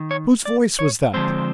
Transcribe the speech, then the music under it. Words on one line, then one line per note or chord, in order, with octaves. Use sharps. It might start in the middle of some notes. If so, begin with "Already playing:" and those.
"Whose voice was that?"
Already playing: D#3
C#5
D5
C#5
D3 F3 G#3 C4 C5